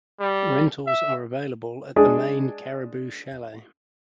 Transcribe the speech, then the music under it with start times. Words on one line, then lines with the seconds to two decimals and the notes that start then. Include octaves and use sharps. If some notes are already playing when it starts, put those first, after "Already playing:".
Rentals are available at the main Caribou Chalet.
0.20 G3
0.87 E5
1.96 G#3 D4 G#4